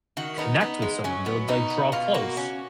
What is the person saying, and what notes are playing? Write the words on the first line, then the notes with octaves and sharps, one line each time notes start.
connect with someone, du like, draw close.
D#3 F#4
B3 D#4
B3 D#4
G#3
F#3 C#4
B3
B2 D#4
B3
B2 F4
A#3 F#4
C#4